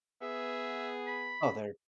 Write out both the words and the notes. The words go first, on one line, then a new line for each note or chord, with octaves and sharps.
Oh, there
B3 G#4 E5
B5